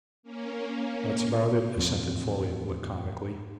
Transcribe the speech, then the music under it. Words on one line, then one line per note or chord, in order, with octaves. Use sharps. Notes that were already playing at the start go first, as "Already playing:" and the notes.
"That's about it," assented Folliot laconically.
A#3 C#4
E2 A2 F3 C4